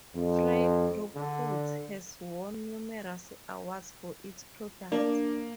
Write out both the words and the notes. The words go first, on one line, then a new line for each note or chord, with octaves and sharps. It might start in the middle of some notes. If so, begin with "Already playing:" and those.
Fry Group Foods has won numerous awards for its products.
F2
D3
A#3 D4 D5